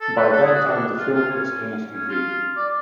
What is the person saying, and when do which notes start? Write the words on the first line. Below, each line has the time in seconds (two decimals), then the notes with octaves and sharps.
By that time the film was almost complete.
0.01 A4
0.17 B4
0.33 A4
0.44 G#4
0.55 F#4
0.65 D4
0.97 F4
1.14 F4
1.29 C#4
1.93 C#4
2.09 F4
2.56 D5